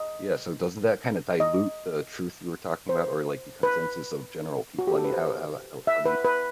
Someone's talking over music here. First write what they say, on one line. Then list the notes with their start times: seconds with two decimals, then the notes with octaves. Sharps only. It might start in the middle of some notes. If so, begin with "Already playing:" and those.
Yeah, so doesn't that kinda dilute the truth you were talking about or, like, the consensus of general people? I mean, how how how do you
Already playing: D#5
1.40 D#5
2.89 C5
3.63 B4
4.79 F#4
4.87 G4
4.95 A4
5.04 B4
5.13 C5
5.87 E5
6.06 B4
6.25 B4